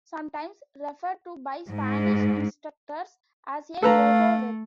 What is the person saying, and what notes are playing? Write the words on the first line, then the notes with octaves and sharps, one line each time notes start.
Sometimes referred to by Spanish instructors as a "Yo -go" verb.
G#2
A3 A4 B4 F5 A#5